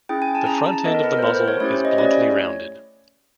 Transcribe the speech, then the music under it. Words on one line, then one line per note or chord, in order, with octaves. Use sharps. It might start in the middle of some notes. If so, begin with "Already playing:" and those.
The front end of the muzzle is bluntly rounded.
C#4 E4 G#4 G5
G#5
A5
C#4 E4 G#4 A#5
A5
B3 E4 A4 D#5
A#4
B4
A#4
C5
B3 E4 A4 B4
C5
C#5
A3 C#4 E4 G4 C#5
C5
D#5
A3 C#4 E4 G4 D5
C#5